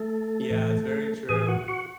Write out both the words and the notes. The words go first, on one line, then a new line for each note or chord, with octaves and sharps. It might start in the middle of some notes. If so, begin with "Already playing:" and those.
Yeah, it's very true.
Already playing: A3 A4
A2 E3
A2 E3 G#4 G#5
F#4 F#5
F#4 F#5